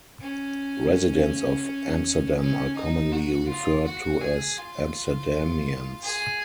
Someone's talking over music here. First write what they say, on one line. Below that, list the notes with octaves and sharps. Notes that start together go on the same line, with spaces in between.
Residents of Amsterdam are commonly referred to as Amsterdamians.
C#4
C#4
D#4
F#4
F4
F#4
G#4
F4
G#4